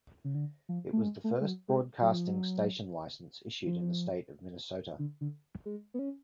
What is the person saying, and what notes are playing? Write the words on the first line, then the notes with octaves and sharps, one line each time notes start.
This was the first broadcasting station license issued in the state of Minnesota.
C#3
D3
F3
A3
G#3
A3
G#3
F#3
G#3
F#3
F3
F#3
F3
D3
D3
G#3
B3
C#4